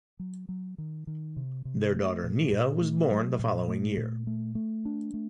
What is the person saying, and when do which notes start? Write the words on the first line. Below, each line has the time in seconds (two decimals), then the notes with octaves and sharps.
Their daughter Nia was born the following year.
0.19 F#3
0.49 F#3
0.78 D#3
1.07 D#3
1.36 C3
1.65 C3
1.95 A3
2.24 A#2
2.53 A#2
2.82 A3
3.10 F#3
3.39 A#2
3.68 A3
3.97 A#2
4.27 A3
4.55 A3
4.85 D4
5.14 A3